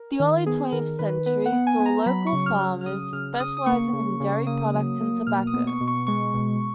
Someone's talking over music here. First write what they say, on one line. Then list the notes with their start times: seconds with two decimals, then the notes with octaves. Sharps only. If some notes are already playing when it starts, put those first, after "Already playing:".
The early twentieth century saw local farmers specializing in dairy product and tobacco.
Already playing: A#4
0.20 D#3
0.46 B3 G#4
0.72 D#3 A#4
0.99 D#3 B4
1.26 B3 B4
1.46 F#5
1.52 B3
1.67 G#5
1.80 B3
1.86 A#5
2.06 F#3 B5
2.26 C#6
2.33 C#3
2.46 F6
2.60 F#3
2.81 F6
2.86 C#3 D#6
3.13 C#3 F6
3.40 C#3 D#6
3.57 D#6
3.66 A#3 C#6
3.93 C#3
4.20 C#3
4.46 A#3 D#6
4.74 F#3
5.01 A#3
5.27 B2 F6
5.47 D#6
5.54 B3
5.67 C#6
5.81 B2
5.88 C#6
6.07 G#3 C#6
6.34 B2